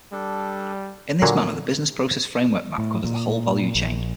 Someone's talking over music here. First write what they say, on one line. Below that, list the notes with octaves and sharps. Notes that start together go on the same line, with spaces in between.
In this manner the Business Process Framework map covers the whole value chain.
G3 D4 A4
A#2 D3 F#3 A#3
A2
A#2
A#1